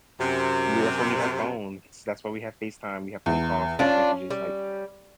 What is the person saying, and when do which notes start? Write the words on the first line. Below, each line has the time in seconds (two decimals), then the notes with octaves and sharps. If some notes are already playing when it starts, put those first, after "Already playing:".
we that's why we have phones, that's why we have FaceTime, we have phone calls, text messages, like,
0.20 F#2 C3
3.26 E2
3.79 C#4 D4 F4
4.30 G3